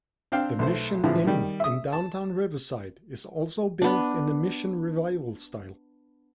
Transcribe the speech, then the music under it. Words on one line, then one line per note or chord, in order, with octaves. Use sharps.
The Mission Inn in downtown Riverside is also built in the Mission Revival style.
C4 D4 F5 G5
B1 A3 C5
A2 D3 E3 F3
D#3 G3
E5 D#6
A5
B3 D4